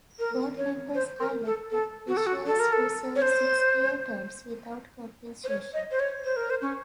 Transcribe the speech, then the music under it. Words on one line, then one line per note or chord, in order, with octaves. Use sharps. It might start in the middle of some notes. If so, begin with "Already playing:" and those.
Board members are elected officials who serve six-year terms without compensation.
A#4
C#5
C5
A#4
A4
A4
F#4
A4
F#4
A4
A#4
A4
C#5
C5
C5
C#5
D#5
C5
C#5
C5
A#4
C5
C#4